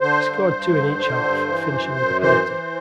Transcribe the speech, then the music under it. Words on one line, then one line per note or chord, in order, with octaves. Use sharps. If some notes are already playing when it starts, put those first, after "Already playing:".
He scored two in each half, finishing with a penalty.
D3 C5
G2
G2
D3
D3
G2
E3
F#2
F#2
E3 C5
E3